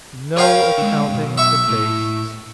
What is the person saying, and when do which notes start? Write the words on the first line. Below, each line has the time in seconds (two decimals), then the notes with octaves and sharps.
No accounting for tastes!
0.37 A#4 C#5 F5 G5 B5
0.78 D3 G#3
1.09 B1 G2
1.38 E5 C#6
1.68 A2